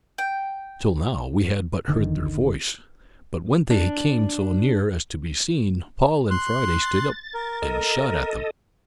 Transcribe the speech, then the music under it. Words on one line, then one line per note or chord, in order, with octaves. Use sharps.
Till now, we had but heard their voice, but when they came so near as to be seen, Paul and Friday stood up and shot at them.
G5
F#1 D3 D#3
D4
C6 F#6
A6
A#4
A4 D#5